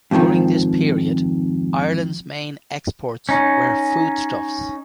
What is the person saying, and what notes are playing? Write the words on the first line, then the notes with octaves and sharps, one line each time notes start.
During this period, Ireland's main exports were foodstuffs.
F2 G#2 C3 D#3 F3
C#4 D#4